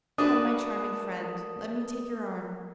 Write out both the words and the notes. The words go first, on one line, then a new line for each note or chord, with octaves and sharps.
Come, my charming friend, let me take your arm.
A3 D4 F#4 A#4 B4 D#6